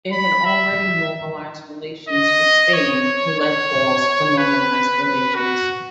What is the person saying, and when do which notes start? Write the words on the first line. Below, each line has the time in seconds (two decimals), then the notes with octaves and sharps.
It had already normalised relations with Spain who led calls for normalised relations.
0.12 B5
0.45 E5
2.09 D#5
2.73 C#5
3.39 C#5
4.38 B4
5.03 B4
5.35 F#4